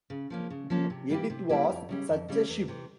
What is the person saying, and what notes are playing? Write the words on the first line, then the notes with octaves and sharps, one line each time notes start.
"Edith" was such a ship.
C#3
F3 A#3 C#4
C#3
F3 A#3 C#4
C3
G3 A#3 E4 G4
C3
G3 A#3 E4 G4
F2
C#3 G3 C#4
F2
C#3 G3 C#4
E2
C3 E3